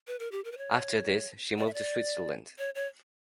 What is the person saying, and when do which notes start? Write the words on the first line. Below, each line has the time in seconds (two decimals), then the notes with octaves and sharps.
After this, she moved to Switzerland.
0.07 B4
0.20 A#4
0.32 G4
0.45 A#4
0.52 B4
0.58 C#5
1.58 D5
1.66 E5
1.73 D5
2.58 C#5
2.75 C#5